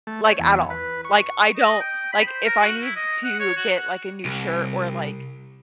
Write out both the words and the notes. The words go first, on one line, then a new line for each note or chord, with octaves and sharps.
Like, at all, like, I don't like, if I need to get, like, a new shirt or, like,
A3
C#5
E2
B4
C#6
D#5
G5
B5
C5
A#4
F#4
E4
D#5
F#5
C#5
F#4
F#5
C2